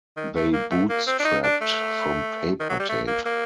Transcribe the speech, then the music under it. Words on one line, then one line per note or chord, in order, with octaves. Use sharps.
They bootstrapped from paper tape.
D#3
A3
A#3
A3
A#3
C4
D4
D#4
D4
A3
D#3
F#3
G3
A3
A#3
A#3